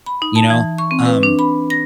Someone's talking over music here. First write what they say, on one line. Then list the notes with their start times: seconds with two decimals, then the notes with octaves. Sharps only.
you know, um,
0.06 B5
0.22 D#4
0.36 A5
0.50 E3
0.78 C#6
0.91 C4
1.05 B4
1.23 D4
1.39 B5
1.70 A#6